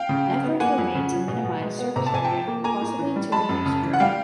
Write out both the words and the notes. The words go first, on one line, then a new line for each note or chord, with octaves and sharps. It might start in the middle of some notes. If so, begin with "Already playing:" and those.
Efforts were made to minimise surface-area, possibly to reduce drag.
Already playing: F5 G5
C#3
F#3
B3
A#3 F#5 G#5
F2
C#3
F3
B2
B2
G#3
B3
C3 A#5
A5
C3 G#5
G5 A5
F3
A#3
A#3 G#5 A#5
A2
E3
G3
G#3 A5 B5
F#2
C#3
E3
F#5
G3 F5 G5